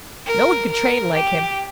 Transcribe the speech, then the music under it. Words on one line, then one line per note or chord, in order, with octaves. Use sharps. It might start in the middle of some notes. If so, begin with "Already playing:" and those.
No one could train like him.
A#4
A#4
G4